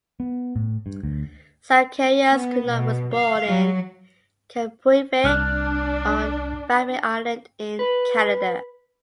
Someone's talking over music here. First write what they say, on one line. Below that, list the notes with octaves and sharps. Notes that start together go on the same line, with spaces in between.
Zacharias Kunuk was born in Kapuivik on Baffin Island in Canada.
B3
A2
G2
D2
B3
B2
F5
F#3
C2 D4 F6 F#6
B4